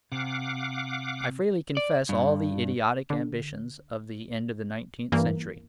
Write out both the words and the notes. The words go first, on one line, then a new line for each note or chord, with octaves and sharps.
I freely confess all the idiotic ambitions of the end of the nineteenth century.
C3 F5 F#5 D6
D5
G2
D3
G2 E3 A#3